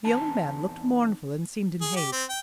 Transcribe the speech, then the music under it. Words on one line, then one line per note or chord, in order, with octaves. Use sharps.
The old man looked mournful, and seemed in haste.
E2 C4 D#4 A5
G#4
G4
C4
G5